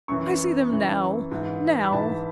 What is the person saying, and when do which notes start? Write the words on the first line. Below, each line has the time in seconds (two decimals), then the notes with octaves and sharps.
I see them now--now!'
0.08 F#2 E3 C#6
0.70 F#2 E3
1.31 G#2 E3
1.85 B5
1.92 G#2 E3 A5